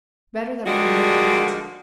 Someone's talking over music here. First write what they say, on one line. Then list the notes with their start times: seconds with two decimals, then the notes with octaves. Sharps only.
Better that we had never met!
0.66 D3 F3 G3 G#3 A#3 F#4